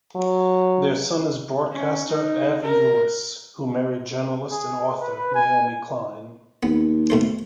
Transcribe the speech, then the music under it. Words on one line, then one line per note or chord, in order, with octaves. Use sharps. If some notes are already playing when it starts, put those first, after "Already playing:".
Their son is broadcaster Avi Lewis, who married journalist and author Naomi Klein.
F#3
C#4
D#4
A#4
G#4
B4
G#5
D#2 B3
B2 A3 C5